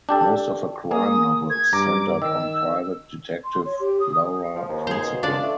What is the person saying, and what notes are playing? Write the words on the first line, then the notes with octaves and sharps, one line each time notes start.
Most of her crime novels centred on private detective Laura Principal.
D4 G4 A4
A#3 G#4 D#6
G#6
G2 A#5 D6
D#3 E6
C6
C#5
G4
D#6
F3
D#2
G#4 C5
B2
D4 F4 D5
A3